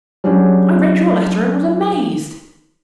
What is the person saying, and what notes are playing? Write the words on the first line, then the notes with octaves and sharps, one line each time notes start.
I read your letter and was amazed.
F#3 C#4 D4 G4 G#4 C#5